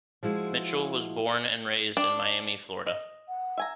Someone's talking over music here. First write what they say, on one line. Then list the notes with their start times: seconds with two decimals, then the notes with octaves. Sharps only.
Mitchell was born and raised in Miami, Florida.
0.23 F3 G#3 E4 F#4
1.97 D4
2.86 D#5
3.29 F#5
3.57 E5 G#5 A#5